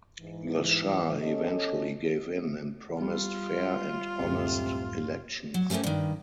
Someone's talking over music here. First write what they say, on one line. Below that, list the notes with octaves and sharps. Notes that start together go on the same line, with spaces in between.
The Shah eventually gave in and promised fair and honest elections.
G#2 E3
C#4 A4 D#5
G3 F4
F#1 D2 A2 C3
F#3
G3 A3 A#3 C4 C#4
G2 D#3